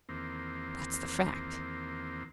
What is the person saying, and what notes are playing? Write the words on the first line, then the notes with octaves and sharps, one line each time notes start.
That's the fact.
E2 D#3 A#3 C4